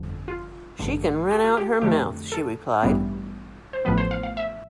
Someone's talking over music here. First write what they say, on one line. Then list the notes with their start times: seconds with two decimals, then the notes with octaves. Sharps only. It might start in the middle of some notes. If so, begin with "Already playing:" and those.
'She can rent out her mouth,' she replied.
Already playing: G1 F2 D3
0.28 F4
0.79 A1 G2 D3
1.30 G4
1.44 F4
1.57 G4
1.81 F2 D3 A3 G4
2.32 A4
2.83 A1 G2 E3 G3 B3
3.73 C5
3.85 A1 A2 F3 B3 B4
3.98 C5
4.11 F5
4.23 F5
4.37 E5